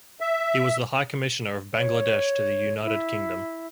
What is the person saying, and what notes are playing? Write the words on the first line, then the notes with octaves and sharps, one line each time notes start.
He was the High Commissioner of Bangladesh to the United Kingdom.
E5
C#5
E4